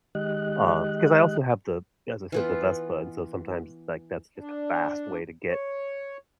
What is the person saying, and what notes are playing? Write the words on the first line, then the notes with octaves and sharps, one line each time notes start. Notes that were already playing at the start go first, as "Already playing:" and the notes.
uh 'cause I also have to, as I said, the Vespa, and so sometimes, like, that's just a fast way to get,
D#3 G#3 G4 D#5 F#6
E3 B3 F4
D4
C#5